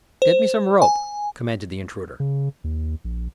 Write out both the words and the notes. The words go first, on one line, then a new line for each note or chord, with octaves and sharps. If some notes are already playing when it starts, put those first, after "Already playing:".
"Get me some rope," commanded the intruder.
C5
G#5
C#3
D#2
A#1